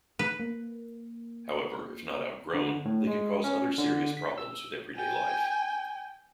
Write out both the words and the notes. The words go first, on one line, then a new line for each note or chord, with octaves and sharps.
However, if not outgrown, they can cause other serious problems with everyday life.
B4
A#3
D3
A2
G#3
C#4
D3
B6
E6
G5 G#5